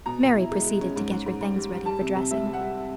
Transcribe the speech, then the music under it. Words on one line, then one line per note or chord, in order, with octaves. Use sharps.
Mary proceeded to get her things ready for dressing.
B2 A#5
B2
E4
G#3
G#3
C#4
G#2
G#2
G#2
G#2
G3
G3
G3 A5
C3
C3
G3 E5
G3
F#5
G3